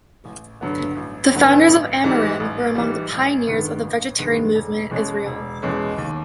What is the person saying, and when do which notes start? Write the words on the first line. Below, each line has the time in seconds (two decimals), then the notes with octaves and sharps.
The founders of Amirim were among the pioneers of the vegetarian movement in Israel.
0.25 A1
0.61 G2 D3 F#3 B3
0.97 A1
1.32 G2 D3 F#3 B3
1.69 A1
2.04 G#2 E3 G3
2.40 A1
2.75 G#2 E3 G3
3.12 A1
3.47 G2 D#3 G#3 B3
3.83 A1
4.19 G2 D#3 G#3 B3
4.55 E1
4.91 E2 B2 G#3 C#4
5.26 E1
5.62 E2 B2 G#3 C#4
5.98 D#2